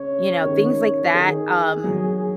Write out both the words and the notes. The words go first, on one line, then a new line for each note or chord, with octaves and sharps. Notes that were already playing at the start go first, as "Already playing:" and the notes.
you know, things like that, um,
Already playing: C#3 C#5
C#3
D#3
D#3 G#4
F#3